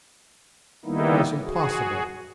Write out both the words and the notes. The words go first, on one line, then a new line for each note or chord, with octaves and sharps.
It was impossible.
D#3 G3 A#3 B3 D#4 E4
F#4 G#4